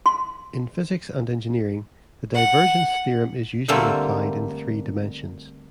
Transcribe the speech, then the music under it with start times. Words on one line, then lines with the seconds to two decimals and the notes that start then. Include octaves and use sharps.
In physics and engineering, the divergence theorem is usually applied in three dimensions.
0.06 C6
2.35 F#5
3.68 D3 G3 A3 A#3 C4